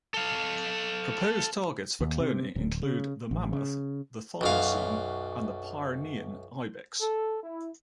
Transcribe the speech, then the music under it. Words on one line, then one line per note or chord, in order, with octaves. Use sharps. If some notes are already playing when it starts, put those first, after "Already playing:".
Proposed targets for cloning include the mammoth, the thylacine, and the Pyrenean ibex.
A4 F5
D#2
C3
D1
C#3
A1
C#3
B1 F#2 F5
A4
E4